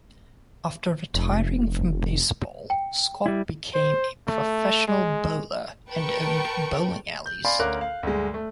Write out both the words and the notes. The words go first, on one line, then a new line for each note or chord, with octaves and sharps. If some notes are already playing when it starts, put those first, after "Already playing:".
After retiring from baseball, Scott became a professional bowler and owned bowling alleys.
F1
G5
G3 E4
C5
A3
G#3
A#4 B4 G5 A5 C#6
G6
D5 F5 G#5 B5 C6
D2 C#4 A#4 F5 D6 F#6
F5
D2 G2 G#3
A3